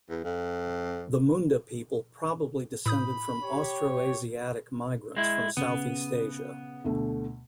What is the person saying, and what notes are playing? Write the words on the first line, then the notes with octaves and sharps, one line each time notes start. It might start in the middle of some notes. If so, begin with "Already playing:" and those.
The Munda people probably descended from Austroasiatic migrants from southeast Asia.
E2
F2
A2 B5 D#6 G6
G4 C#5
G#3 E4
C#3 B3
D2 B2 A3